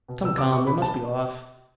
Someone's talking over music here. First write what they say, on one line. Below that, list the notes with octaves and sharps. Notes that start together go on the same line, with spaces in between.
Come, come, we must be off.
B2
B2 E6
B2 D6
B2 C#6
B2 B5
B2 A5